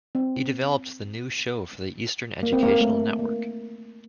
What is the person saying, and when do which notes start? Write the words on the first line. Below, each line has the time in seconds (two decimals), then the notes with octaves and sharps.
He developed the new show for the Eastern Educational Network.
0.15 C4
2.43 A#3
2.53 C4
2.63 A#3
2.80 A3
3.19 A#3